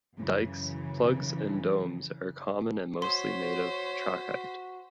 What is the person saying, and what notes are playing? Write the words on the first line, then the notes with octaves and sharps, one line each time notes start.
Dykes, plugs and domes are common and mostly made from trachyte.
F#2 C#3 E3
F#4 C5 C#5 C6 B6